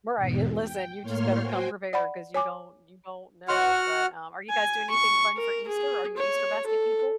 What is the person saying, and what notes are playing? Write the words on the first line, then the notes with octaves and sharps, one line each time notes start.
Well, right, i listen, you just better come prepared 'cause you don't you don't know, but, um, are you guys doing anything fun for Easter? Are you Easter basket people?
E2 G#2 B2
G5
A2 A#3 C#5 C6 F6
F#4 C5 G5 G#5
D5 F#5 B5
C#5 G#5 D6
F#4 C#5 D#5 F#5 C6 F6
G#5
C#6
A#4
G#4
C#5
A4